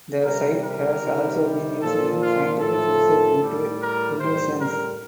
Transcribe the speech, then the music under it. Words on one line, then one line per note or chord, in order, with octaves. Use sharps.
The site has also been used in scientific research into illusions.
C3 G3 A#4
A#4
C3 D#3 G3
A#2 F3 A4
F4
A2 F3 A4
A2 G3
A#4
A2 G3 C5
A#4